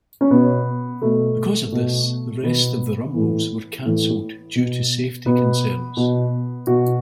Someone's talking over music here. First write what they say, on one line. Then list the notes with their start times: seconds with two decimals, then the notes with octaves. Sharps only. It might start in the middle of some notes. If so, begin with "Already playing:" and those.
Because of this, the rest of the rumbles were canceled due to safety concerns.
0.21 C#4
0.31 B2 B3
1.02 B2 A3
1.72 B2
2.43 B2 B3
3.14 A2 E3
3.85 A2 E3
4.55 B2
5.26 B2 B3
5.97 B2
6.67 B2 F#4